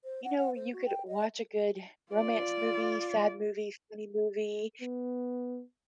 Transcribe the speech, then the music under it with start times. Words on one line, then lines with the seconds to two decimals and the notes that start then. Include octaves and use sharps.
you know, you could watch a good romance movie, sad movie, funny movie,
0.04 C5
0.24 F#5
0.38 F#5
0.55 C5
0.73 F#4
0.86 G5
1.08 D#5
2.12 F4 D5
4.81 B3